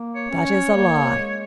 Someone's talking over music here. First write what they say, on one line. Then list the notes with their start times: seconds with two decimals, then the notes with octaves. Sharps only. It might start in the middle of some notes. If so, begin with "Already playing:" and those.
That is a lie.
Already playing: A#3
0.15 C#5
0.31 C#4
0.45 C#5
0.75 A#3
1.18 G#3